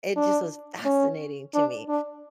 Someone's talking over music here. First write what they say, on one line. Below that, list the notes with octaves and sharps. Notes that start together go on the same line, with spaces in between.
it just was fascinating to me.
D4
C#4
D4
D4